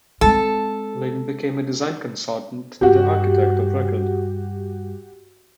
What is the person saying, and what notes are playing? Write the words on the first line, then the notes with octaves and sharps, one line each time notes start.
Lin became a design consultant to the architect of record.
G#3 C4 A4
G2 F#4 G4